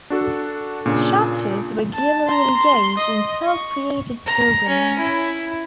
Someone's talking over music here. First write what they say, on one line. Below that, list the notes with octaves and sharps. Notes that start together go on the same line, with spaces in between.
Chapters regularly engage in self-created programing.
D4 F#4 A4
A#2 C#3 D4
A5
A#5 C6
C6
D#5
C#6
A#5
C#4
E4